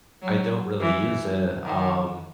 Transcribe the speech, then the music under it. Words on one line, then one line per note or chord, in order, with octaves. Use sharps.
I don't really use it, um,
F#3
E3
D#3